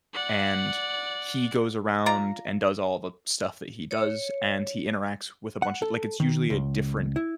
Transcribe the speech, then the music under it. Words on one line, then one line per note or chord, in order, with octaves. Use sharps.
and he goes around and does all the stuff that he does, and he interacts with a bunch of like, it's usually a different
D5 F#5
F4 D5 A#5
C#5
F#5
A4
D#3
C#2
E4